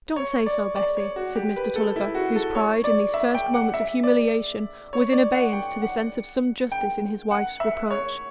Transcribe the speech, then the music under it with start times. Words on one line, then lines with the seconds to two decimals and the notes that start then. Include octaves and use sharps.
"Don't say so, Bessy," said Mr. Tulliver, whose pride, in these first moments of humiliation, was in abeyance to the sense of some justice in his wife's reproach.
0.16 C#5
0.46 D5
0.76 D5
0.97 C#5
1.16 F#4
1.35 G4
1.56 B4
1.76 A4
1.96 E4
2.15 F#4
2.36 A4
2.55 C#5
2.84 D5
3.14 E5
3.34 G5
3.54 F#5
3.74 E5
4.03 D5
4.93 C#5
5.12 D5
5.32 F#5
5.53 G5
5.82 F#5
6.72 G5
7.31 F#5
7.60 E5
7.91 C#5